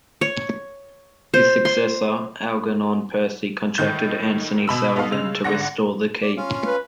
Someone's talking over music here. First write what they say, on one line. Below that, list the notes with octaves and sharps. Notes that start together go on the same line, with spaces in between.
His successor, Algernon Percy, contracted Anthony Salvin to restore the keep.
C#5
C5
C6
A2 D#3 G6
B2 B5 E6
B3 D#4 A4 F5
C#3 G#3 E6 F7
G#1 D3 F#5 A#6
D5
C#4 F4 F5
B4